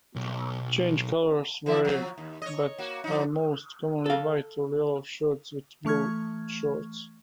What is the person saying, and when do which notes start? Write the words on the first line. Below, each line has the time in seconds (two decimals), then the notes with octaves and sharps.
Change colours vary, but are most commonly white or yellow shirts with blue shorts.
0.16 B1
1.66 E3 F3 E4
1.85 F3 F#3
2.18 D#2
2.42 C#5 D#5
2.78 A#3 F#4
3.04 F3 D#4
4.06 A4 F5
5.85 E3 A3 C#6 F6 G#6